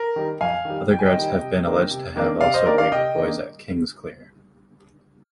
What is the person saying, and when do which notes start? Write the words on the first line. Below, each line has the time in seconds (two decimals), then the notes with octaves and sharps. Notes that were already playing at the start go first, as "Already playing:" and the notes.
Other guards have been alleged to have also raped boys at Kingsclear.
Already playing: A#4
0.16 D#3 G3
0.41 F2 F5 G#5
0.65 D#3 G3
0.91 F2 G5
0.99 G#5
1.06 D#5 G5
1.16 D#3 G3
1.41 C3
1.66 D#3 A#3 D4
1.91 C3
2.16 D#3 A#3 D4
2.41 C3 D5 F5
2.54 C5 D#5
2.66 D#3 A#3 D4 A#4 D5
2.78 D5 F5
2.92 C3 D#5 G5
3.16 D#3 A#3 D4